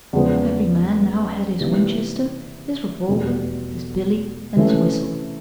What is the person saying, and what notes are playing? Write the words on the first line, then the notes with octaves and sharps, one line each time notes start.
Every man now had his Winchester, his revolver, his billy and his whistle.
E2 C#3 F3 G#3 B3
C3 E3 G3 A#3 D#4
F1 E2 B2 G3
C3 E3 A3 C#4